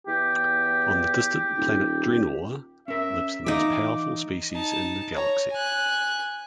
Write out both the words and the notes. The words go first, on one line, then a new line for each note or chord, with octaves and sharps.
On the distant planet Dreenor lives the most powerful species in the Galaxy.
E2 G4
D#1
C#4 A#4 E5
E3 A3 D#4 E5 F5 D6
D#4 A5
C#5 A#5
G#5 F#6